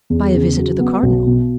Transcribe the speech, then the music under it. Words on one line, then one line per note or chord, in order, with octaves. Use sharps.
"By a visit to the cardinal."
E2
C#3
F#3
B3
B1
B2